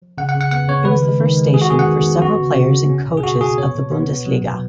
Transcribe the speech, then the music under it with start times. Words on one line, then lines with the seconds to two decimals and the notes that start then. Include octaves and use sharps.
It was the first station for several players and coaches of the Bundesliga.
0.18 C#3 F#5
0.29 F#5
0.35 C#3
0.41 F#5
0.51 B3 F#5
0.68 C#3 C#5
0.85 D#3 B4
1.02 G#3
1.20 D#3
1.37 G#3
1.53 D#3 G#4
1.62 F#4
1.70 B3 G#4
1.79 F#5
1.87 D#3
2.04 B3
2.21 C#4 F#4
2.38 C#3
2.56 C#3
2.73 C#4
2.90 C#4
3.06 B2
3.17 G#4
3.24 B2 F#4
3.40 B2 G#4
3.57 B3 C#5
3.75 B2
3.91 B3
4.09 B3
4.26 F#3
4.42 B2